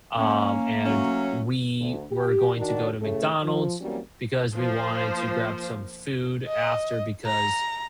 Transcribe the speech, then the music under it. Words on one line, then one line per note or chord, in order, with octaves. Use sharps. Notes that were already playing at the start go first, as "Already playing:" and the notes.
um, and we were going to go to McDonald's, because we wanted to grab some food after, because
A#3 C#4
F#3 A3 C#4
D2
G4
D#3 D4 F#4
A2 C#3 A3
F3
E3 F#3 G3 A#3 C4 C#4
F3 A#3 C5
D#5
A#5